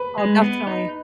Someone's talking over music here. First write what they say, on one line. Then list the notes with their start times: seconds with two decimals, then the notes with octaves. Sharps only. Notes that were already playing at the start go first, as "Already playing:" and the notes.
Oh, definitely.
Already playing: B4
0.18 G#3
0.42 B3
0.67 D#4